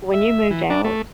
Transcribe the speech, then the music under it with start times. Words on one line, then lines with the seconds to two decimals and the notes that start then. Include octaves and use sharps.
when you moved out
0.14 E5
0.51 E3
0.70 D4
0.84 A3